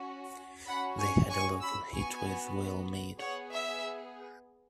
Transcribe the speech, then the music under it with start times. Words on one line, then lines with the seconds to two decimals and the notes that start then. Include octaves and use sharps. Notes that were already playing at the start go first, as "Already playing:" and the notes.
They had a local hit with "We'll Meet".
Already playing: C#4 F#4
0.67 C#4 F#4 F#5 B5
0.99 G#5 C#6
1.30 G#5 C#6
1.61 B5 E6
1.93 B3 F#4 G#5 C#6
3.19 B3 G#4 C#5 F#5
3.51 E5